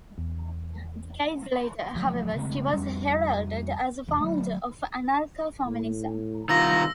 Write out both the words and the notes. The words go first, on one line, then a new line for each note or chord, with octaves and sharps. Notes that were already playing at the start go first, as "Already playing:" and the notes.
Decades later, however, she was heralded as a founder of anarcha-feminism.
E2
D1 F3 F#3 A3
C#3 G#3 A3 C4
F2 G3
F1 E2
F#3 A3
A2
C2 D#3 F4 A#5 E6 A#6